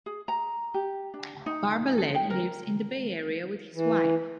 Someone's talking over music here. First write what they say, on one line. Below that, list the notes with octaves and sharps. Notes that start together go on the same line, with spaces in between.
Barbalet lives in the Bay Area with his wife.
G#4
A#5
G4
D4
D#4
A4
G5
A#4
E3